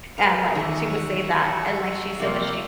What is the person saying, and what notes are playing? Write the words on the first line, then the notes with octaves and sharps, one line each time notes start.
and, like, she would say that, and, like, she said that she
A3 A#4 B4 D#5 A#5
E2 D#3 E5 F#5 C#6
C3 F3 A#3